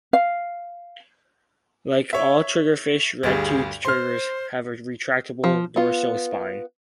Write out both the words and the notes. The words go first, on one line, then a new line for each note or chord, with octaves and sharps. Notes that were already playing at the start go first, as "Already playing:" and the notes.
Like all triggerfish redtoothed triggers have a retractable dorsal spine.
F5
C#5 E5
D2 G2 G#4
C5 C6 F6
F3
B3 F4